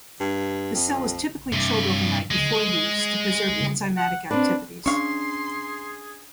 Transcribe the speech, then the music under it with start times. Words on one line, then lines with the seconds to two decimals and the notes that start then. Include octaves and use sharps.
The cell is typically chilled overnight before use to preserve enzymatic activities.
0.20 G2
0.74 F2
1.53 G2 C3
2.31 G#3
3.97 F#5
4.31 C4 D4 B4
4.86 C#4 D4 G#4 F5 C6 C#6